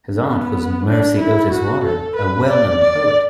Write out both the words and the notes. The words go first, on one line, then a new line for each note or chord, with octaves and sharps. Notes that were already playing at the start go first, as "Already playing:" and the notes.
His aunt was Mercy Otis Warren, a well-known poet.
B3
D4
E4
F#4
A4
B4
D5
D5